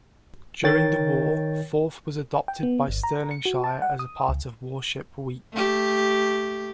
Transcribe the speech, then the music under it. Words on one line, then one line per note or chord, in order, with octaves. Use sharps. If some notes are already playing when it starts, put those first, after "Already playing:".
During the war "Forth" was adopted by Stirlingshire as part of "Warship Week".
D#3 C#5 G5 A6
G5
B3
G1
A#5
C#7
F#4
A5
F#5
D#6
C#2
A3 G4